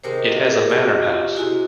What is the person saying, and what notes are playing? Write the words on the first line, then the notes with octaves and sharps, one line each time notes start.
It has a Manor house.
C3 D#3 G#3 A#4 C5
A4 B4
G#4 A#4
G4
C3 D#3 G#3 F#4 G#4
F4 G4
C3 D#3 G#3 E4 F#4